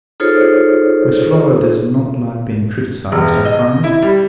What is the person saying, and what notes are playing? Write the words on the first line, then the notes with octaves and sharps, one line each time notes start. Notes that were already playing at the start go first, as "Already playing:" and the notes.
Miss Flora does not like being criticized, I find.
D#4 F4 G#4 A4 C5 C#5
E1
D#5
E4
G3